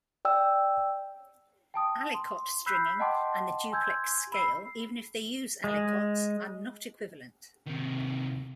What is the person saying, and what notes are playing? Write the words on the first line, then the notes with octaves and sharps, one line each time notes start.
Aliquot stringing and the duplex scale, even if they use "aliquots", are not equivalent.
D5 G5 E6
G5 A5 D#6
C6
B5 E6 F#6 G6 B6 C7
D#5 F#5 G5 A5 C6 D6
G#5 C6 E6 G6 G#6
B5 E6 C7
G#3
C3 D#3